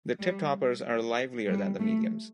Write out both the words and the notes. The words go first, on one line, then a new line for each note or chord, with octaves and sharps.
The tip-toppers are livelier than the mediums.
G3
G3
A3